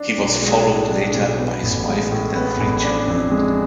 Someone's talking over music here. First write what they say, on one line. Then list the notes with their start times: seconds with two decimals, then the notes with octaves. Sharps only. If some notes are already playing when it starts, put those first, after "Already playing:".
He was followed later by his wife and their three children.
Already playing: D4
0.18 B1
0.42 G#3
0.66 A2
0.90 D4
1.14 B1
1.38 B3
1.63 A1
1.87 G#3
2.11 A2
2.35 B3
2.59 A1
2.83 D4
3.07 F2
3.31 G#3